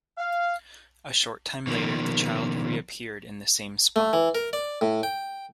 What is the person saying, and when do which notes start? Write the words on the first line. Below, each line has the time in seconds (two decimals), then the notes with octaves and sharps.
A short time later, the child reappeared in the same spot.
0.18 F5
1.67 B2 D#3 F3 A#3
3.96 A3
4.13 E3
4.35 A#4
4.53 D5
4.81 A2
5.03 G5